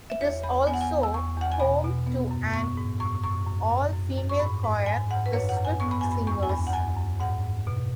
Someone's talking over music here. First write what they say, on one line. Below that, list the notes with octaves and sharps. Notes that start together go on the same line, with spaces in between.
It is also home to an all-female choir, The Swift Singers.
E5
E2 C#5
E2 B5
B3 G#5
F#5
G#5
E2
E6
E2 C#6
E2 F#5
G#5
B2 B5
B2
B3
F#2
B3 C#6
G#2
F#2 C#6
F#2 C#6
F#2
F#2
F#2
F#2
C#6
G#2 B5
G#2
G#2 G#5
G#2 F#5
B4
F#2 C#5
F#5
F#2
G#5
B3 C#6
B5
F#2 G#5
B5
E2 C#6
G#5
E2 B5
F#5
F#2 G#5
F#2
G#2 F#5
G#2
B2